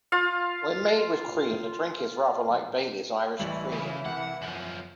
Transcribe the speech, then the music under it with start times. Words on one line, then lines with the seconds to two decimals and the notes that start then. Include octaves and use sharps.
When made with cream the drink is rather like Baileys Irish Cream.
0.12 F4 F5
3.40 A1 E3 G3 E4 F#7
3.72 C#3
4.06 C2 F#5
4.42 F#2 F3 F#5 F#7